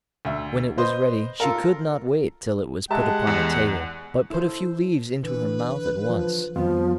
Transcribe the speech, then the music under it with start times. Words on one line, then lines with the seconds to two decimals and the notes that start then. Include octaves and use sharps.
When it was ready, she could not wait till it was put upon the table, but put a few leaves into her mouth at once.
0.25 D2 E5
0.78 B4 C5 D#5
1.40 F4 A4 A#4
2.90 G#3 G4 E5 F#5 A5
3.27 E2
4.30 E4 A4 C5
5.23 D3 E3 B4
6.09 F3
6.56 F2 D#3 F3 G3 B3 F4